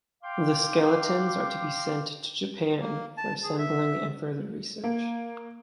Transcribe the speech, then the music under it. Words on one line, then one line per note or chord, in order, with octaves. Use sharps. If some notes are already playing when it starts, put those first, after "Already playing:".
The skeletons are to be sent to Japan for assembling and further research.
F5 G5 C6 D6
A#3
A5
G#4
E5
A#3